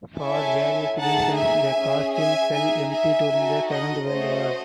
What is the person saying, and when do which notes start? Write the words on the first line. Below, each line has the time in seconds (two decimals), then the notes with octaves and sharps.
For various reasons the castle fell empty during the Second World War.
0.20 C#4 E4 A4 E5 G#5
0.98 A3 D#4 G#4 F#5 A5
1.37 E5 G#5
1.75 C#4 G#4
2.14 E5 G#5
2.52 D#4 G#4 E5 G#5
2.91 E5 G#5
3.31 D#4 F#4 A4
3.69 D#5 F#5
4.07 A3 C#4 F#4 C5 D#5